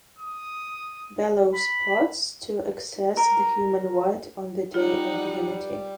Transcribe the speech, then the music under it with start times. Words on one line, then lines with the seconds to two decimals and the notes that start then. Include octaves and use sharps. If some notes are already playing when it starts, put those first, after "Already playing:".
Belos plots to access the human world on the Day of Unity.
0.19 D#6
1.55 B5
3.17 A#4
4.74 G3 D#4 F4 F#5